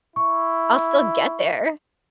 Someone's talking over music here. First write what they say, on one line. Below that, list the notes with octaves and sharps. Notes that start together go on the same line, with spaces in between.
I'll still get there."
E4 C#6